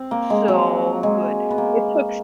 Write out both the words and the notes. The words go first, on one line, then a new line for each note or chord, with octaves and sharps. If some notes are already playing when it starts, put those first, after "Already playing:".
so good. It took
Already playing: C4
A#3
G#3
F#3
G#3
B3
A#3